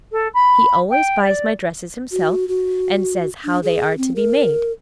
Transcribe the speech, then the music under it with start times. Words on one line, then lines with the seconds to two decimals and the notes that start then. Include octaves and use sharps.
He always buys my dresses himself and says how they are to be made.
0.12 A4
0.34 B5
0.90 G5
1.22 D5
2.12 F#4
2.48 F#4
3.44 D4
3.63 G#4
3.97 C4
4.16 A#4